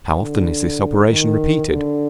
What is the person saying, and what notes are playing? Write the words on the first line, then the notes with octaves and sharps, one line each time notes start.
How often is this operation repeated?
D3
D#3
D3